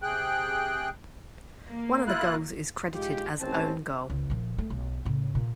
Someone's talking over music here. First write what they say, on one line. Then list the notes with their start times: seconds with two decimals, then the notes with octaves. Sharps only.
One of the goals is credited as own goal.
0.02 C3 G#4 G5 F#6
1.70 A#3
2.07 E4 F4 F#6
2.94 G#2 G#3 F4 G4
3.40 A1 D#3 C4 C#4 G4 A5
4.10 C#2
4.30 A#2 F3
4.58 A3
4.70 B1
5.05 A2 C#3
5.35 A#2